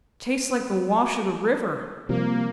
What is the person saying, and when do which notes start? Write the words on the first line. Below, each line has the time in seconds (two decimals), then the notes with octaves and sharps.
'Tastes like the wash of the river.'
2.09 C3 F3 G3 A#3